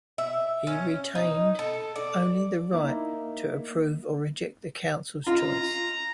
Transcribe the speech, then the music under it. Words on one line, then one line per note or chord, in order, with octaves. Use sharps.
He retained only the right to approve or reject the council's choice.
E5
C#4
D#4
A4
D5
A#3 D#4 E4
F4 A#5